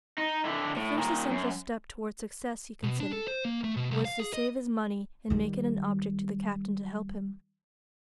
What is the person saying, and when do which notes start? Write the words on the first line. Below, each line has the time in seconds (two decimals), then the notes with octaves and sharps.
The first essential step towards success, he considered, was to save his money and make it an object to the captain to help him.
0.18 D#4
0.45 D3 E4
0.76 A2
0.98 A#2 D#3
1.30 F#2
2.83 B2
3.00 D4
3.12 A4
3.28 C5
3.45 A#3
3.64 A3
3.76 B2
3.91 C2
4.05 F5
4.20 G#4
4.34 D#5
5.30 D#3 G3